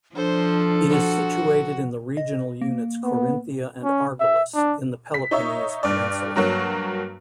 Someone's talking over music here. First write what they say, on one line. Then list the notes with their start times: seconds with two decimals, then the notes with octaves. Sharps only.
It is situated in the regional units Corinthia and Argolis, in the Peloponnese peninsula.
0.15 F3 D4 A4 C5
0.90 F#4
2.17 D#5
2.61 A#3
3.03 B3
3.84 C#4
4.20 E5
4.55 D4
5.14 B6
5.31 D#4 C#5 E5
5.83 G2 D5
6.35 G2 F#3 A#3 F#4